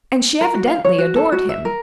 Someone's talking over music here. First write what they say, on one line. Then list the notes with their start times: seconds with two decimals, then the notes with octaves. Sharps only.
And she evidently adored him.
0.41 A#4
0.55 F#4
0.67 F5
0.85 C#5
0.98 F#4
1.16 A4
1.32 F#4
1.49 E5
1.65 A#4